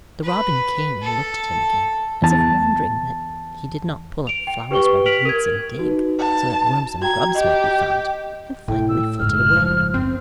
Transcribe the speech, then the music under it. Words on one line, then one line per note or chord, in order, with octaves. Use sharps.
The robin came and looked at him again, as if wondering that he did not pull up flowers by the roots and dig, so that worms and grubs might be found, and finally flitted away.
B4
A4
E2 A5
D7 F7
G5
G4 B4 G5 C#6 G7
F6 B6 D7 F7 F#7
A#4 G#6
D#4 F#4 B4
A5
F#4 G5 A#5 G#6
G4 D#5
A2 E4 G5
E6
F#1 G#2 F6
F3
F#2 C4